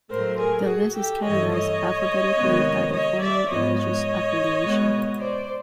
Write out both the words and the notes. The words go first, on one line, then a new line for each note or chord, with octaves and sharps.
The list is categorized alphabetically by their former religious affiliation.
A2 F#3 A3 A#4 C5
G#4 A#4
F#4 G#4
G4 A4
G2 E3 A3 C#5 D#5
C#5 D#5
C3 D#3 G#3 B3
C#5 D#5
D5 E5
G#2 F3 G#3 B3 C#5 D#5
C#5 D#5
B2 G#3 B3
C5 D5